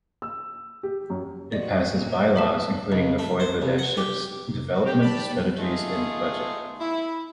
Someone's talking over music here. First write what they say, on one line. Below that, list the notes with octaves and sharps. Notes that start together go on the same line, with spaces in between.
It passes bylaws, including the voivodeship's development strategies and budget.
E6
G4
F#2
A#2 F3 F#4 D5 D#5
A#2 A#3
A4 E5 A5
C#2
A3
C5
C2
F#5
G4
F2 C3 D#4
F#4 B4 F#5
C4 D#4 G4
D5 A5 B5
F3 B3
A3 B3 D#4 F4 G#4
E4